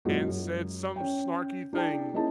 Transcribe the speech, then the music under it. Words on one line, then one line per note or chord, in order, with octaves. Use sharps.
And said some snarky thing,
F#2 A#2 G#3 E4 F#4
F#2
C#4 G5
D4 E4 G#4 D5 G5 A5
A#3 C#4 D#4 E4 G#4 A5